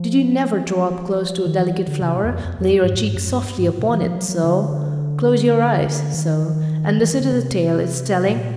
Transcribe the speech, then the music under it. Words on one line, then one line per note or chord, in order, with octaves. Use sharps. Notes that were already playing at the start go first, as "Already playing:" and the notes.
Did you never draw up close to a delicate flower, lay your cheek softly upon it, so,--close your eyes, so,--and listen to the tale it's telling?
Already playing: F3
D#3
E3
D3
C#3
B2
E2
F2
F2
F2
G#2
A2
G#2
F#2
G2
G#2
B2
E3
F3
F#3
F#3
D3
D#3
E3
D#3
D3
C3
A#2